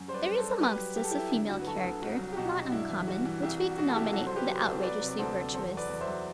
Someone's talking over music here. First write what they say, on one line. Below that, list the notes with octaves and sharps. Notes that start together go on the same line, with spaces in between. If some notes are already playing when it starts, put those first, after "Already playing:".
There is amongst us a female character, not uncommon, which we denominate the outrageously virtuous.
Already playing: F#2
G3 C5
B4 D5
G3
A4 C5
G3
F#3 G4 B4
F#3
F#3 G4
A4
F#3 E4 G4
D3 E4
D2 F#4
B4
F#3 F#4 A4
D2
C2 F#4
F#3
G4
B2 F#4
F#3
F#4
G2 E4
E3
G3 F#4
E3
C2 E4 G4
C2 F#4
C2 F#4
A4
C2 E4 G4
F#3 F#4 A4
F#3 C5
G4 B4
F#3
A4 C5
C2
F#3 B4 D5
C3
D5
D2 A4 C5
C3
E2 A4 C5
F#3
B4 D5
E2
C5 E5
F#3